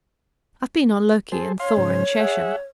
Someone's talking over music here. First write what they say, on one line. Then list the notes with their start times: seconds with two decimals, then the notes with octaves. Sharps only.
"I've been on Loki and Thor and Shesha."
1.32 G#4 A4 C5
1.60 C#5 F5 C6
1.77 G#2 C#3 C5
2.20 G#4 E5 F#5